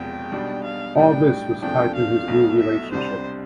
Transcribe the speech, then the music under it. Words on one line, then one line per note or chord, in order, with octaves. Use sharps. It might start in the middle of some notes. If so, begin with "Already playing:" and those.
All this was tied to his new relationship.
Already playing: E1 E2 C3 F3 G5
B1 B2 G3 D4
F5
B1 A2 G3 D4 G5
E2 C3 F3 A3 D4 G5
F5
B1 B2 A3
E5
C2 C3 G3 D4 C5